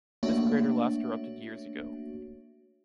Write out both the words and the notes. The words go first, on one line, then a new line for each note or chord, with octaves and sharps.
This crater last erupted years ago.
A3 A#3 D4 F#4 C#5 E5